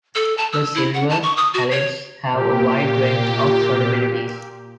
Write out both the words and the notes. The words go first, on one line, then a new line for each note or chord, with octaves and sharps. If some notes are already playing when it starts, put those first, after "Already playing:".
The silver halides have a wide range of solubilities.
A4
A5
E6
E4
F#5
A5
C#6
D#6
F#4
C#5
A#2 G4